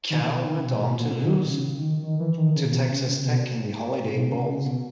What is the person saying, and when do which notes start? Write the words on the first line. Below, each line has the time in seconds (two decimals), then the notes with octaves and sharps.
Cal went on to lose to Texas Tech in the Holiday Bowl.
0.10 D#3
0.20 A#2
0.28 B2
0.46 D#3
0.56 C#3
0.63 B2
0.73 A#2
0.80 B2
0.98 A#2
1.11 B2
1.24 D#3
1.44 B2
1.50 C#3
1.76 D#3
2.03 D#3
2.20 E3
2.37 D#3
2.55 C#3
2.64 A#2
2.72 B2
2.90 C#3
3.08 C#3
3.20 C#3
3.25 B2
4.13 B2
4.30 C#3
4.47 C#3
4.64 B2